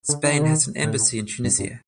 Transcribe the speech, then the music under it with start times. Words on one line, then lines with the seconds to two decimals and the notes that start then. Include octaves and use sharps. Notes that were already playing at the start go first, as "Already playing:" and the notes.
Spain has an embassy in Tunisia.
0.09 D3
0.24 D#3
0.34 D3
0.42 D#3
0.84 A2
1.44 G2
1.59 G2